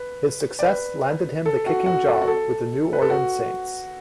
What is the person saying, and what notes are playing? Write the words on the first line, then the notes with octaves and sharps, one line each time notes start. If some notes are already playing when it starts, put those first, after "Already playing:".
His success landed him the kicking job with the New Orleans Saints.
Already playing: B4
D5
B4
A4
F#4
F#4
A4
F#4
A4
B4
A4
F#4